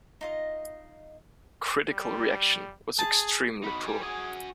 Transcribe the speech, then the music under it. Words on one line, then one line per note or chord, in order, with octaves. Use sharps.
Critical reaction was extremely poor.
D#4 F4 D#5
G3
G#4 A5
D#4 F#4 B5
G3 G#5
F#4 G#4 G#5